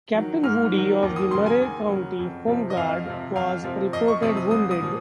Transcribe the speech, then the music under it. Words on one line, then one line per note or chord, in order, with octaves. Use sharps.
Captain Woody of the Murray County Home Guard was reported wounded.
D#3 F#3
G#2 F6
D#3 F#3
D#2
D#6
C#3 F#3 C6
G#5
D#2
C#3 F#3
F2
C3 F3
D#5
F2 F5
C3 F3
F2 F5
C3 F3
F2 D#5
C#6
C3 F3 D#6
D#6
C2 D#6
D#6
A#2 F3